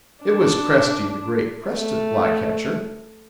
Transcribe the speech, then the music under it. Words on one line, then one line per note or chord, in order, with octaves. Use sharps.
It was Cresty the Great Crested Flycatcher.
D4
A3